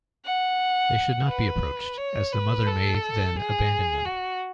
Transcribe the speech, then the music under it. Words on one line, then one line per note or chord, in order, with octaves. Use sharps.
They should not be approached, as the mother may then abandon them.
F#5
B4
C#5
B4
A4
G#4
F#4